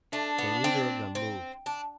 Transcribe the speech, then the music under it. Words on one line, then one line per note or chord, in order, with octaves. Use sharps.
They neither of them moved.
A3 D4
B3
C4
C4
D4